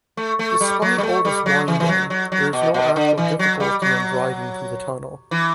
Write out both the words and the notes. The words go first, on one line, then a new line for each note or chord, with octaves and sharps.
Despite all this winding, there is no actual difficulty in driving through the tunnel.
A3
A3
G3
F#3
G3
A3
G3
F#3
E3
E3
F#3
F#3
F#3
B2
B2
D3
E3
F#3
G3
F#3
E3